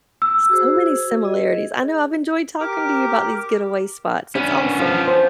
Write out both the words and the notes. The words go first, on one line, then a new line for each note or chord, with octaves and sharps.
So many similarities, I know, I've enjoyed talking to you about these getaway spots, that's awesome.
E6
F#4 G#4 C5
G#4 D#5
G4 A#4 D6
B3 C#4 D4
F3
C5